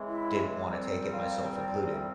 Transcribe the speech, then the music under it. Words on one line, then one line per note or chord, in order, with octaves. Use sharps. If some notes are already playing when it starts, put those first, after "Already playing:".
didn't wanna take it, myself included,
Already playing: C#3 E3 G#3 C4
E4
A#2 G3 C4
F4
E4